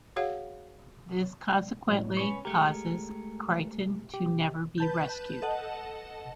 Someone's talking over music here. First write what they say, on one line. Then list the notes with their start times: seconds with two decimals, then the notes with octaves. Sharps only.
This consequently causes Kryten to never be rescued.
0.16 F#4 G#4 C#5 F5 F#5
1.89 A2 F#3
2.17 C#4 B4 C#5
2.45 G#3 A3 G4 A#4
4.14 G4
4.78 B4 A5 G6
5.42 A4 D#5 F#5 A5